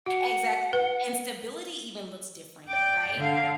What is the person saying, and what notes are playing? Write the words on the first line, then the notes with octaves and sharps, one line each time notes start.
exactly, and stability even looks different, right, like,
F#4 F#5
B4
D5 G5
D3 F5